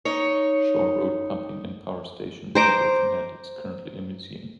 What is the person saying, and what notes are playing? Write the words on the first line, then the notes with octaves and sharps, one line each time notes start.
Shore Road pumping and power station in Birkenhead is currently a museum.
D#4 C#5
C5 A#5 D6